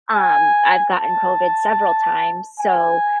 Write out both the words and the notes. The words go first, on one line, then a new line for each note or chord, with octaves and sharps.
Um, I've gotten COVID several times, so,
G#5
A5
G#5